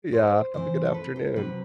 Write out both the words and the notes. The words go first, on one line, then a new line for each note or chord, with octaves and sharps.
Yeah, have a good afternoon.
C5
C3 E3 C5
A4
B4
C5
C3 F#3 B4